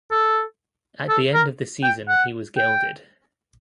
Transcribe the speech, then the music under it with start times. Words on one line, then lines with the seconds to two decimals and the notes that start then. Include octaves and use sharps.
At the end of the season he was gelded.
0.11 A4
1.09 A4
1.34 A#4
1.83 G5
2.08 F#5
2.57 G5